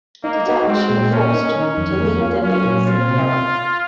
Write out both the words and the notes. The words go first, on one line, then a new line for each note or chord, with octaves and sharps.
The Dutch were forced to leave their base in Perak.
A#3 D#4
F#4
G#3 C4
A#2
A#3 C#4
D#4
D#3 C#4
F2
A#3
F4
F#3 C#4
A#2
C4 F4
C3